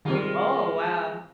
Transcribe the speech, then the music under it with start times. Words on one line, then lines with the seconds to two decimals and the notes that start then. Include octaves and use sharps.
Oh, wow.
0.05 D#3 G3 G#3 C4 F4